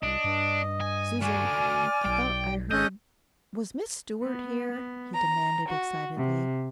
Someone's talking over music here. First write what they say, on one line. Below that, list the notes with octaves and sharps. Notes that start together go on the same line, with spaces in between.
"Susan, I thought I heard--WAS Miss Stewart here?" he demanded excitedly.
C2 D4 D#5
G2
G#5
A3 F#4 D5 G#5 F6
B1 G5
G#1 C#4 A4 D#5 F#6 G6
B3
B3
A#5
F#4
C3